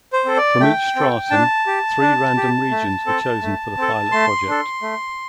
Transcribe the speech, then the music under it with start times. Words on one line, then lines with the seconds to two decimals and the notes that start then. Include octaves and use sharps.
From each stratum, three random regions were chosen for the pilot project.
0.13 C5
0.25 C4 A4
0.37 D5
0.60 A3 G5
0.96 C4 A4
1.30 D4 A5
1.67 G4
2.01 D4
2.37 G4
2.71 A3
3.06 C4 A4
3.42 A3
3.77 C4 A4
4.12 A3 C6
4.48 D4 A4
4.82 A3